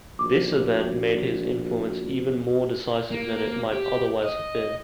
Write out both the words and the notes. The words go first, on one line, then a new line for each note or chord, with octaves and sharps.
This event made his influence even more decisive than it might otherwise have been.
A#1 F#4 D6
A#3
G4
D#5